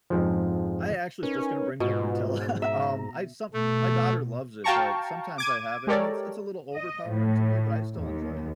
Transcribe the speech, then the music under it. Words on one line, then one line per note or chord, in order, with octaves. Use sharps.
I actually was just gonna bring up Nutella. Um, I some my daughter loves it, but sometimes I have it, and it's it's a little overpowering to me, but I still enjoy it.
F2 G#2 F3
C#4 D#4 A#4 B4
G#2 B2 F4 B4
E5 A#5
B2 A3
F#4 F5 G5 A5 A#5 C#6
D6 G#6 D#7
G#3 G4 A4 A#4 C#5 D5
D#5
A2
D#2